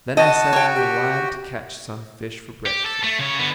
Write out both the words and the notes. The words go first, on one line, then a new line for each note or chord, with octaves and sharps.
Then I set out a line to catch some fish for breakfast.
F#4 D#5 A5
C#5 G5
G4
G4
A4
A3
C#3 C#5
D3 B3